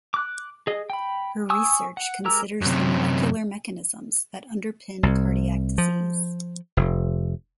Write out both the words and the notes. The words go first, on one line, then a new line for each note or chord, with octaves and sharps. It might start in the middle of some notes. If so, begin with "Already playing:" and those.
Her research considers the molecular mechanisms that underpin cardiac disease.
D6 F#6
G#4 D#5
G5 B5
G#5 C#6 D#6 E6
F#5
G#3 G4 A#4 A#5 E6
F#2 C3
C2
F3
F1